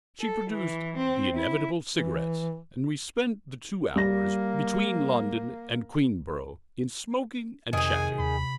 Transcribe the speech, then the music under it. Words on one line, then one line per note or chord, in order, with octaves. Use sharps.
She produced the inevitable cigarettes, and we spent the two hours between London and Queenborough in smoking and chatting.
A4
E3
C4
E4
E3
G3 A#3 A#6
F2 C3 D#3 G#4 G#5
D#2 B5